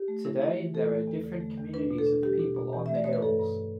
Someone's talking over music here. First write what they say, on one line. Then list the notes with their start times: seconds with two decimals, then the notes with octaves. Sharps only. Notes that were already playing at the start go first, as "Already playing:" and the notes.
Today, there are different communities of people on the hills.
Already playing: G4
0.08 A3
0.25 E4
0.42 E4
0.58 E3
0.74 A3 A4
0.90 A3
1.08 E2
1.24 D3
1.40 A3
1.57 E2
1.73 D4 B4
1.91 B2
1.98 A4
2.07 D4
2.23 G3 G4
2.39 B2
2.56 B2
2.73 E3
2.86 A3 E5
2.95 D5
3.04 A3 C#5
3.13 B4
3.22 G2 A4
3.39 G2